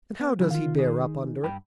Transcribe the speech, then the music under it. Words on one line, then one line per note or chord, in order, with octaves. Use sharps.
"And how does he bear up under it?"
B3
C#3 F#3 E4
D#3 F4 F5
D#4 G#4
G2 G5 B5